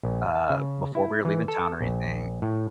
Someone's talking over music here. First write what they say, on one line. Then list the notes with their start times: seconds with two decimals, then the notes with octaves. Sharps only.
uh, before we were leaving town or anything,
0.03 A#1
0.35 A5
0.50 C#3
0.95 E4
1.25 E3
1.48 A4
1.81 A#1
2.42 A2